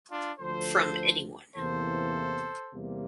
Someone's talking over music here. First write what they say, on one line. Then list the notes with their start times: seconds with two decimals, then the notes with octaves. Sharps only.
From anyone.
0.11 D4 F4
0.40 D2 D3 F3 A4 C5
1.56 E2 C3 E3 A#3 A4 C5
2.72 E2 C3 G3 A#3